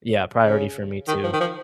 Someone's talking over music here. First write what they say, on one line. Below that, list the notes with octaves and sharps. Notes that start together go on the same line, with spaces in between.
Yeah. Priority for me too,
C#3
D#3
F3
D#3
F3